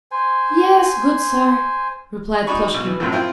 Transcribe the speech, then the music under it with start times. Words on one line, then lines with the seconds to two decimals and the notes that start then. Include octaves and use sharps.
"Yes, good sir," replied Plushkin.
0.11 C5 G#5
2.47 D#4 F#4 D5 G#5 B5 C#6
2.74 B1 F#4
2.86 E3 B3
3.00 F#2 A2 C3 F3 F#3
3.12 C4 E4 F4 G5